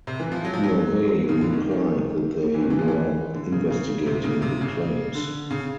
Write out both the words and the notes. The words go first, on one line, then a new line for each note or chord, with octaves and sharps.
Huawei replied that they were investigating the claims.
C3
E3
F3
F#3
F3
F#3
C#3
D3
D#3
D#3
E3
D#3
E3
F3
E3
D3
C#3
C#3
C3
C#3
C3
C#3
D3
C#3